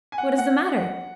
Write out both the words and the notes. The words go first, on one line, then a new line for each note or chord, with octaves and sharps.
"What is the matter?"
G#5
F#5
F#5
F#5